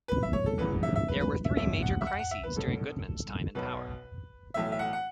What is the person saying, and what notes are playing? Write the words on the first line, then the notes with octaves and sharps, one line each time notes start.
There were three major crises during Goodman's time in power.
B4
E5
C#5
A4
E1 E2 C#3 E3 B4
E5
E5
B4
B4
E5
B1 B2 E5
F#5
E5
F#5
F#5
E5
B4
B1 B2 A4
B1 B2 B4
B1 A2 E3 E5
E5
F#5
F#5